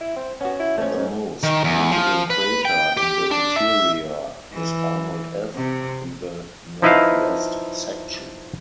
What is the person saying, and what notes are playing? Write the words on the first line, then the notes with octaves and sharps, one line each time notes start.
The most notable crater in the interior is Arnold F, in the northwest section.
E4
C4
B3 C#4 F#4
E4
F2 A3 C#4
G#2
D#3
E2
F3
B4
G5
G4
D4
E5
E3
C3
F3 D#4 E4 B4 D#5 F5